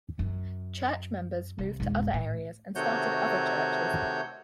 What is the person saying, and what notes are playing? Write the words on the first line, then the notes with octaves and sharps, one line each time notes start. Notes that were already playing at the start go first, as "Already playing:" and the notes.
Church members moved to other areas and started other churches.
F#2
C2
E1 G#2
A2
C3 D#3 A3 F#4 C#5 G6